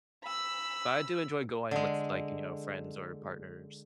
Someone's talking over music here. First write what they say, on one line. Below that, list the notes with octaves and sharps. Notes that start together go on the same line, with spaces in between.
but I do enjoy going with like, you know, friends or partners
B5 E6
D3 G#3